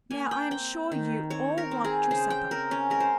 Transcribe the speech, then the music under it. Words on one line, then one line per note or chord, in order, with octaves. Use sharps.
"Now I am sure you all want your supper."
A#3 G#5
G5
C4 G5
D#3
C4 C#5
A#4
C4
G#4
C#3 C5
G5
C4 A#4
C#4
G#3 A#4
C5